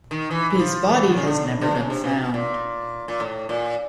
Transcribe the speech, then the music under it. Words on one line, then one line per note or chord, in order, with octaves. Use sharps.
His body has never been found.
D#3
E3
E3
F3
E3
D#3
C#3
D3
C#3
D3
C#3
C3
B2
A#2
A#2
A2
A#2